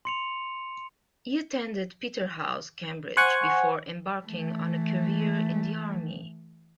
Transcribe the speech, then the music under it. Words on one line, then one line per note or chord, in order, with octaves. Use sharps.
He attended Peterhouse, Cambridge before embarking on a career in the army.
C6 C#7 F7
C5 F#5 G#5 C#6
E3 A3